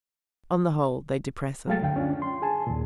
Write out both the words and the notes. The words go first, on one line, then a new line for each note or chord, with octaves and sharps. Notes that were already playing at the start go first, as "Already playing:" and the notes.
On the whole they depress us.
F#3 G#3 A3 F5 G5 A6
C#2 F#2 D3 F5 G5
C#4 D4 F4
C6
G#4 G#5 A5
D#2 A#2